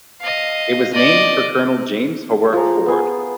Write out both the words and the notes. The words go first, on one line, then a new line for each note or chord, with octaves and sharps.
It was named for Colonel James Hobart Ford.
D#5 F5
D5 D#5
F3 F4 G#4 A#5
B3 G#4